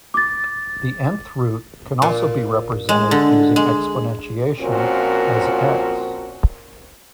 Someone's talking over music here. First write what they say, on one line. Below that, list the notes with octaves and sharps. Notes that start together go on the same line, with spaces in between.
The "n"th root can also be represented using exponentiation as "x".
D6 A6
A#2
G#3
D3
G#3
A#2 F3 C4 C#4 F#4 A#4